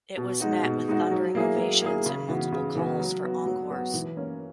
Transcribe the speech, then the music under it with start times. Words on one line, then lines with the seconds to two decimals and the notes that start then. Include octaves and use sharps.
It was met with thundering ovations and multiple calls for encores.
0.17 B2
0.40 G#3 D#4 F#4
0.64 B2
0.88 G#3 D#4 F#4
1.11 F#3
1.35 A#3 E4 G#4
1.58 F#3
1.82 A#3 E4 G#4
2.06 C#3
2.29 E3 B3 F#4
2.52 C#3
2.75 E3 B3 F#4
3.00 F#3
3.24 B3 F#4
3.46 F#3
3.70 B3 F#4
3.94 E3
4.17 A#3 C#4